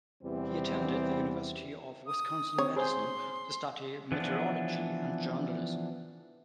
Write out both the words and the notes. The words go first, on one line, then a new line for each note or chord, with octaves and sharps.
He attended the University of Wisconsin-Madison to study meteorology and journalism.
E2 C3 E3 G3 B3 C4
D#6
C4 C#5
G#4 C5 C6
E3 F3 B3 D4